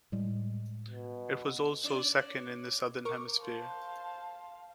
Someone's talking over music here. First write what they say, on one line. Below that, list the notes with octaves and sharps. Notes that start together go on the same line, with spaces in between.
It was also second in the Southern Hemisphere.
A2 G3 G#3
B2
C#4 D5
A#4 C#6 D6
C5 F5 A5